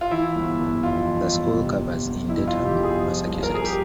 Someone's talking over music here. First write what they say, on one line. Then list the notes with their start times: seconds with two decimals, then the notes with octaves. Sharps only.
The school covers in Dedham, Massachusetts.
0.01 F4
0.11 E3 E4
0.35 G1
0.59 G1
0.83 F2 F4
1.07 E3
1.33 G1
1.56 C3
1.81 G1
2.05 G1
2.29 F2 E4
2.47 F4
2.53 C3
2.66 G4
2.77 G1
2.83 G#4
3.02 F3
3.26 C2
3.43 A#4
3.50 C2 G#4
3.65 G4